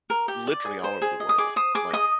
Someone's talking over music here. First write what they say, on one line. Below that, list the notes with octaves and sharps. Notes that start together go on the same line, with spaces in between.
literally all over the world, like
A#4
G4
D5
G#4
C5
G#4
D#5
D#6
G#4 D6
C5 D#6
G#4 D6
D#5 D#6